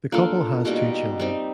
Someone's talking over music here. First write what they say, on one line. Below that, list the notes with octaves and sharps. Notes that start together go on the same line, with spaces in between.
The couple has two children.
A#3 D4 F4 A4
B2 G3 A#3 D#4
G3 C4 D#4